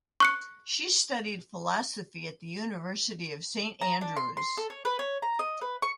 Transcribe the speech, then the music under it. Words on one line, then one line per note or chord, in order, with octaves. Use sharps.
She studied philosophy at the University of St Andrews.
C#6 F#6 C#7
A#5
D4
C6
C6
A4
C#5
B4
C#5
A#5
D#5
B4
C#6